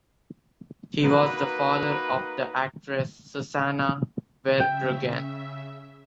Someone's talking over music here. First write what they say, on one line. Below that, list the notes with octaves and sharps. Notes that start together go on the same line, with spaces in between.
He was the father of the actress Susanna Verbruggen.
A#3 D#4 F#4 B4
C#3 E5 G5